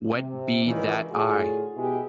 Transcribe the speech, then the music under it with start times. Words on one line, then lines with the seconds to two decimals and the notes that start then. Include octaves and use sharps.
Wet be that eye.
0.14 C3
0.65 C#2 A#2 D#3 E3
1.11 A2 D3 F4 F#4 G#4
1.77 B2 G#3 E4 G4 G#4